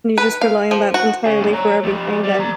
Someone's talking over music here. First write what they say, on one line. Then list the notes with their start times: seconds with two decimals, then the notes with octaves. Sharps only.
and you just rely on that entirely for everything then
0.18 B4
0.41 F5
0.71 F3
0.94 F#4
1.26 C#4 G#4
1.40 F#2 A2
1.53 C#5 A#5
1.84 F3 G4
2.23 G3
2.39 F3 A#5